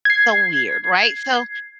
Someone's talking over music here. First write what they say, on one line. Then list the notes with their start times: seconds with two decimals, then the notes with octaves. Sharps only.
So weird, right? So,
0.05 G#6 C7